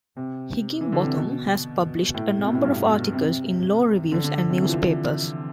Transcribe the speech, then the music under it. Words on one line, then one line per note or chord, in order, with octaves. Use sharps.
Higginbotham has published a number of articles in law reviews and newspapers.
C3
E3
D3
C3
B2
A2
C3
B2
A2
G2
B2
C3
D3
D3
C3
E3
F3
E3